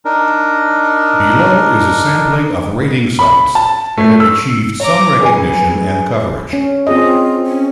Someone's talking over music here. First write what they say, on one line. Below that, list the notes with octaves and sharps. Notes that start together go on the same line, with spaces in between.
Below is a sampling of rating sites that have achieved some recognition and coverage.
D4 D#4 A#4
B5
A5
A3
E6
C#5 A#5 D6
F#3 G#4 B4 G#5
C#4
C4 F4 G#4 D#5
C#4